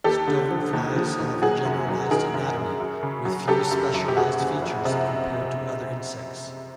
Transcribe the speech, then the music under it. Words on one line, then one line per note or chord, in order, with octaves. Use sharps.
Stoneflies have a generalised anatomy, with few specialised features compared to other insects.
D#2 G4 A4
D3
F3
D#2
F3
D#2
F#3 F#4 G#4
F#2
F#3
D#3 G#4 A#4
F#2
F#2
F#2
C#3
F#3
F#3 G4 A4
F#2
F#2
G4
F#1 F#4 G#4
F#1
F2
C3